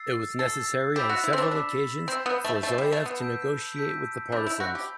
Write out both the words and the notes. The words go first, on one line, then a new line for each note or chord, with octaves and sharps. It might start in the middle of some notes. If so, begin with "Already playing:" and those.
It was necessary on several occasions for Zuyev to negotiate with the partisans.
Already playing: E6 A6 C7
A4 E6 A6 C7
G4 B5 E6 B6 E7
F#4
E4
C4
D4
D4 B5 E6 B6 E7
C4 E6 G6 C7 E7 G7
B3
A3
A3 E6 G6 C7 E7 G7
G3
A3
B3
A5 E6 G6 B6 D7
A5 E6 G6 B6 D7
D4 B5 E6 G6
E4
F#4
G4